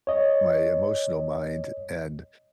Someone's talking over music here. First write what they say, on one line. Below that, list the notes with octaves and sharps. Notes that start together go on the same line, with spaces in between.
my emotional mind, and
C#5 D#5